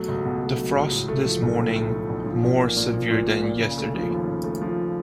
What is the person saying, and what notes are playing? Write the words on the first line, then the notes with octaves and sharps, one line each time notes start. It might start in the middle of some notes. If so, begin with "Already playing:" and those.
The frost this Morning more severe than Yesterday.
Already playing: B2 F#3 A3
C#2
B2
A3
F#3
C#2
A2
A3
F3
B1
A2
A3
F3
B1
F3
A#2
A#3
A#2
F3
A#2
A#3
A#2
C#3
A3
F3
D#2
C#3
A3
F3